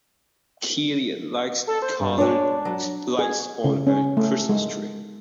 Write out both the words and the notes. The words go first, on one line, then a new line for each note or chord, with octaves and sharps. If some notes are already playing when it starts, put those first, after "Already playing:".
Killian likes colored lights on her Christmas tree.
A4
C5
G2
G#3 D4 C#5
F#3
G#4
C#3
C#4
A3
G#3